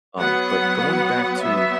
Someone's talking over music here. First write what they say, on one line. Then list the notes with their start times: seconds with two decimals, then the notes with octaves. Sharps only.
Um, but going back to
0.18 F#3 B3 F#5
1.41 F#3 B3 E5